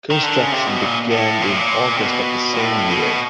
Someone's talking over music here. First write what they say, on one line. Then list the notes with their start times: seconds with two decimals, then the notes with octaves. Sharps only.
Construction began in August of the same year.
0.11 D#3
0.23 D3
0.37 C#3
0.52 C3
0.67 B2
0.82 A#2
1.11 A2
1.42 A#2
1.49 A2
1.56 A#2
1.97 C3
2.01 B2
2.54 A#2
2.59 A2
2.89 B2